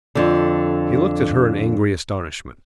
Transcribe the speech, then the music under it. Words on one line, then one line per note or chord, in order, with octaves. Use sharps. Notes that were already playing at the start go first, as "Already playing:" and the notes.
He looked at her in angry astonishment.
F2 D3